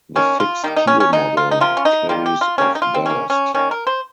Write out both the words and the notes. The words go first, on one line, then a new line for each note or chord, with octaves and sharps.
The fixed keel model carries of ballast.
D#3 A#3 C#4
F4
D#3 G3 A#3 D#4
D#4
C#4
C#4
C#3 G#3 D#4
F4
D#4
C3 F3 A#3 F4
C#4
D#4
D#3 G3 A#3 F4
G4
F4
C#3 G3 A#3 C#4
D#4
F4
C4
D#3 A#3 C#4
C#4
D#3 G3 A#3 C#4
A#4
C5